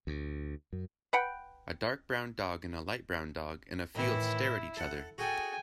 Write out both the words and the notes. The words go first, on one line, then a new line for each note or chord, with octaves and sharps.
A dark brown dog and a light brown dog in a field stare at each other.
D2
F#2
B4 F#5 G5
A2 D#3 E3 E4
A4 F#5
F#4 G#4 A4 G5 G#5